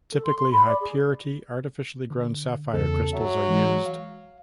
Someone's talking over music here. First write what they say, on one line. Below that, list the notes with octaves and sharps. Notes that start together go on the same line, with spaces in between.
Typically, high-purity artificially grown sapphire crystals are used.
A4
C6
C6
B5
D5
G#4
D3
E2 C#3 A4
F#3 E5
E3 G#3 F#4
F5